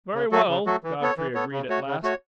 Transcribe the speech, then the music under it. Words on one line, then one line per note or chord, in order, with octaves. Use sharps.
"Very well," Godfrey agreed, at last.
C#3
F#3 A3 F#4 A4
C#3
F#3 A3 F#4 A4
E3
B3 A4 C#5
E3
B3 A4 C#5
C#3
A3 F#4 C#5
C#3
A3 F#4 C#5